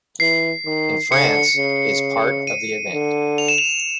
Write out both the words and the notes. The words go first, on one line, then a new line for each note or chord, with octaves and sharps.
In France, is part of the event.
E3 C7
D#3
D3 C#7
C#3
D#7
D3
F7
E7
F7